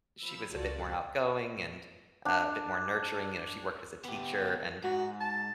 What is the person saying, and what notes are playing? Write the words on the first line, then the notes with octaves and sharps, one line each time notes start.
she was a bit more outgoing and, uh, a bit more nurturing. You know, she worked as a teacher and
F3 B5 E6
C#2 F4 F#4 A4 D5
D4
B3 G4
G#2 F#4
A5